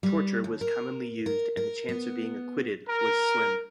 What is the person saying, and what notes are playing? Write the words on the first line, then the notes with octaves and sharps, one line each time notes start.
Torture was commonly used and the chance of being acquitted was slim.
G3
D#2
A#4
A#4
A#4
B3
A#4